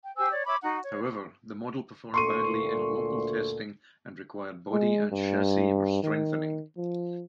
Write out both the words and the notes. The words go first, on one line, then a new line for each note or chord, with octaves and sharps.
However, the model performed badly in local testing, and required body and chassis strengthening.
G5
G4 C5 G#5 E6
C#5 D5
C#5 E5 B5 D6
D#4 F#4 F#5
C#5
D2 A#2 A4 C6 C#6 D#7
G#3
G2
D#3
F3